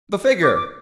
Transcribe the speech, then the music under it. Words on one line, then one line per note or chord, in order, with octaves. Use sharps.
The figure!
D6
D6